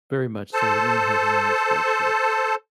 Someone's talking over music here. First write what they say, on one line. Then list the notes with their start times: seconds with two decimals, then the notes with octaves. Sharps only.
very much so, we lean heavily on spreadsheets.
0.54 A4 C5 A5